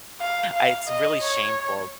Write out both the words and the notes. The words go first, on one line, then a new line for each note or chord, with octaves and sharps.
I it's really shameful
F5
F5
D#5
C#5